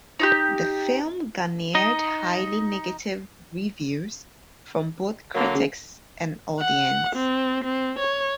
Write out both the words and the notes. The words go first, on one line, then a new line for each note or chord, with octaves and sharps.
The film garnered highly negative reviews from both critics and audience.
D#4 F4 G4
D#4 D#5
D3 F#3 A#3
C#3
F#5
C4
C4
C#5